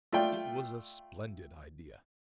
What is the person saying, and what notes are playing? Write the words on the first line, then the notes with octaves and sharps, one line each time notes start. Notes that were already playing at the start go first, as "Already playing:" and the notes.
It was a splendid idea!
A3 F4 D5 G5